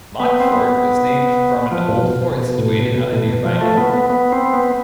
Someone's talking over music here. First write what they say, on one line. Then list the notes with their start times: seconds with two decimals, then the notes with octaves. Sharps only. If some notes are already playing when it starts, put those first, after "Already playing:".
Montfort was named from an old fort situated on a nearby hill.
0.20 B3
0.40 C4
0.52 B3
1.71 F3
1.88 A2
1.93 B2
2.37 B2
2.58 A2
2.80 B2
2.96 B2
3.13 A2
3.29 B2
3.45 F3
3.61 A3
3.77 B3
3.94 B3
4.10 B3
4.32 C4
4.54 B3